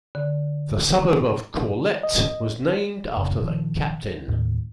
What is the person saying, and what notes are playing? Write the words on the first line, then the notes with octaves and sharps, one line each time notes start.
The suburb of Corlette was named after the captain.
D3
D#5
F#1
A#2 D#3 F3
D#2 A2